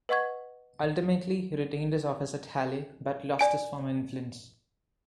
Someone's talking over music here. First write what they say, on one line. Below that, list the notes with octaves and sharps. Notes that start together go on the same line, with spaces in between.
Ultimately, he retained his office at Halle, but lost his former influence.
B4 D#5 F#5 C#6 G#6
D5 G#5 D7